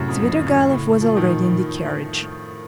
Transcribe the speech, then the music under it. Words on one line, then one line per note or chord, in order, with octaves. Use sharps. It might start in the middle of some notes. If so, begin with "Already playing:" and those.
Svidrigailov was already in the carriage.
Already playing: F#2 A2 C3
F2
F3
D#3
F#2 C#3
D#3
A2 C#3
F3
A#2 D#3